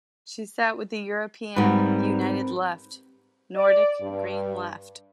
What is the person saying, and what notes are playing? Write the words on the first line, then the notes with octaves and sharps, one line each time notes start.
She sat with the European United Left - Nordic Green Left.
G#2 G3 C4 A#4 B4
D5
G2